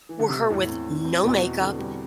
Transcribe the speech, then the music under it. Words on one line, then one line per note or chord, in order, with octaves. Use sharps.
were her with no makeup,
E3
D3
C3
B2
E2 A2
C4
C4
C4
E2 B2
C4
D3
G3